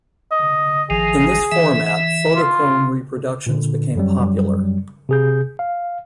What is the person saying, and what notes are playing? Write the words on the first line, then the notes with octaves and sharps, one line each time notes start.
In this format, photochrom reproductions became popular.
D#5
A1 D#3 F3 G#4
E3 E5
F4
A#2 D3
F#2 F#3 G3
C3 G#4 G6
F5